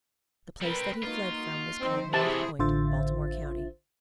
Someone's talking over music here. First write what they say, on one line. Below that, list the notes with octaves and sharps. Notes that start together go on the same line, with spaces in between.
The place that he fled from was called North Point, Baltimore county.
G3 C4 A#4 B4
A#3 D#4 F4 F#4
F3 C4 D#4 C5
C3 E3 E4 F#4 G#4 C5 A5
A1 D3 F4 C5 E5 A6